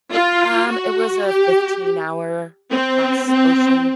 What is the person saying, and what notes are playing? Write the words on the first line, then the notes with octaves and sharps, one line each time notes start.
Um, it was a fifteen-hour, cross ocean,
F4
F#4
G4
C4
C4